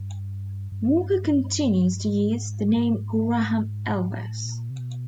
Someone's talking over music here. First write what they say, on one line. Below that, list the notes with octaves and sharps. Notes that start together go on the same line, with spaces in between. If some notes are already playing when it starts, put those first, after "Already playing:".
Walker continues to use the name Graham Elvis.
Already playing: G2
G2
G#2
G#2
A2
A#2
C3
B2